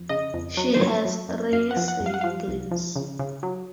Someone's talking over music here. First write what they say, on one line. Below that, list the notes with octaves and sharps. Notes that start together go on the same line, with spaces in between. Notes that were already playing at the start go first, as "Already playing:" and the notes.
She has three siblings.
Already playing: F2
C#3 D#5
F2
F#3
C5
F#2 C#5
F#2
F#2
F#2 F5
F#5
F3
F#5
F#2
F5
F#5
F3 F5
C2
F3
C#3
C#3
F#3